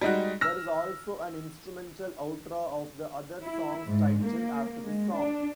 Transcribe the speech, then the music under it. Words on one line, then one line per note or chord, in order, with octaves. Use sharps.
There is also an instrumental outro of the other song's title after this song.
G3 G#3 D#4 F#4
E6 F6 A#6
E4
G#2
A#3
G#3
D4